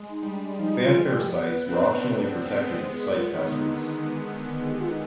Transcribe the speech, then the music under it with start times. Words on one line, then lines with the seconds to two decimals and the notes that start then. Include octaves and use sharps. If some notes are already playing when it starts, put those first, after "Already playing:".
Phanfare sites were optionally protected with site passwords.
Already playing: G#3
0.10 D#4
0.23 G3
0.35 D4
0.59 F3 D#4
0.83 F4
0.95 G#3
1.07 G4
1.32 B3 B4
1.68 C4
1.76 D4
1.83 C4
2.05 B3
2.42 C4
2.50 B3
2.59 G#3
2.67 B3
2.79 G#3 C5
2.89 B3
2.97 G#3 G#4
3.15 B3 F4
3.33 D#3 D#4
3.52 D3
4.71 G4
4.80 F4
4.89 D#4